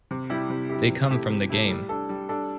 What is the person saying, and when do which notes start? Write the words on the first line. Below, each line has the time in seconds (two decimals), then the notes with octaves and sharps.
They come from the game.
0.11 C3
0.30 G3 E4 G4
0.50 C3
0.69 G3 E4 G4
0.90 C3
1.09 A3 E4 G4
1.30 C3
1.49 A3 E4 G4
1.69 G3
1.89 D4 A4
2.09 G3
2.29 D4 A4